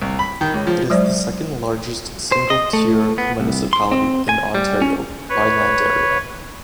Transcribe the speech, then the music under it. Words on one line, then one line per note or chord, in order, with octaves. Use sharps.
It is the second largest single-tier municipality in Ontario by land area.
C2
B5
D#3
C#2
F3
F#3 G#3 C5 D5
C5
D#5
A3
B3
C2
C6
C4
G#5
G3
C#4
B4 C#5